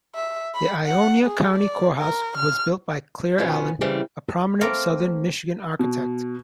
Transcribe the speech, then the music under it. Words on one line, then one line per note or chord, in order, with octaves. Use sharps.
The Ionia County Courthouse was built by Claire Allen, a prominent southern Michigan architect.
E5
B5
F#5
G#4
D5
A#4
F6
B2 F3 B3 C#4
C#3 E3 G3 C4
A3 A#3 C4 A#4 F5
B2